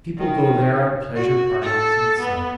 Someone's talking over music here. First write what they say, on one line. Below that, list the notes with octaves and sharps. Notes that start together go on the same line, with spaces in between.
People go there on pleasure parties in summer.
D#3
F#4
A4
B3